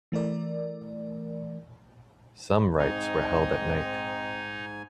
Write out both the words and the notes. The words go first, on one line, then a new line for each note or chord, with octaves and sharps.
Some rites were held at night.
E3 A3 A#4 D5
G#2 C4 D#4 D#5 G#5